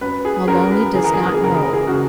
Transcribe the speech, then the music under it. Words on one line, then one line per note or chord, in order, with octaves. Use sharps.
Maloney does not know.
F#2 B4
G#4
F#2 A#4
B4
E3 G#4
A#4
G#4
A#4
G#4
F#1 A#4
G#4
A#4
G#4
C#3 F#4